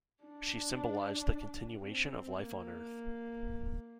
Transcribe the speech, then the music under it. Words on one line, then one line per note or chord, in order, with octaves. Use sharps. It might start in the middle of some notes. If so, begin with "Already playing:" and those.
She symbolized the continuation of life on Earth.
D4
C4
A#3